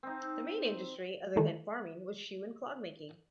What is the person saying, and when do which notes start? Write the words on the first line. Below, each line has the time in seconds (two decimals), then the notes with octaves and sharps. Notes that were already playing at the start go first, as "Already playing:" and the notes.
The main industry, other than farming, was shoe and clog making.
0.03 C4 D#4
1.36 D#3 E3 G#3 A3